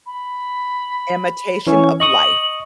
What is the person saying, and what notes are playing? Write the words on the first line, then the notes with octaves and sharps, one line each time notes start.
Imitation of Life.
B5
E3 C#4 E4 C#6
D#5 C#6 D#6 F#7